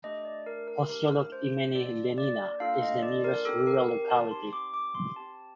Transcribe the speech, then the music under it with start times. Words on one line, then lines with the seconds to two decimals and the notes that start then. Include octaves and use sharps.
Posyolok imeni Lenina is the nearest rural locality.
0.04 A3 D4 G4 D#5
0.25 D5
0.46 A#4
0.68 A#4
0.89 A3 D4 G4 A#4
1.32 C5
1.75 A#3 D4 F4 A4 D5
2.18 D5
2.60 A#3 D4 F4 A4 F5
2.82 D#5
3.03 D5
3.24 A#4
3.45 C4 D#4 G4 A4
3.67 A#4
3.89 A#4
4.10 A5
4.31 C4 D#4 G4 C6
4.53 D6
4.74 D6
4.95 C6
5.16 C4 G4 A5